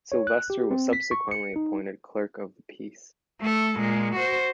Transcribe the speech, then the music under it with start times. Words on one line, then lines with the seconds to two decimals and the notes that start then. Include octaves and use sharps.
Silvester was subsequently appointed clerk of the peace.
0.12 C#5
0.27 F#6
0.50 G4
0.71 C4
0.93 B6
1.11 C#6
1.31 C#7
1.56 D#4
3.40 A3 A4
3.77 A#2 G#3
4.15 F#4 C5